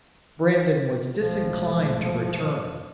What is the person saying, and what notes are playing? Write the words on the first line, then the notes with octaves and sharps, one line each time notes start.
Brandon was disinclined to return.
B1 F3 G#3 A3